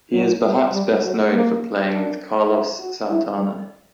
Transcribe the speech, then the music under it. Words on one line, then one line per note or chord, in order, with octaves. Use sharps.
He is perhaps best known for playing with Carlos Santana.
F#3
G3
G3
F#3
A#3
D4
E4
F#4
E4
G3